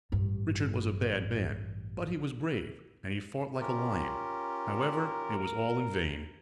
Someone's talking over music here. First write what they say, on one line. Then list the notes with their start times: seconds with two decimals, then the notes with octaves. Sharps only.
Richard was a bad man, but he was brave, and he fought like a lion. However, it was all in vain.
0.12 A1 G2
3.61 C#4 F4 G4 A#4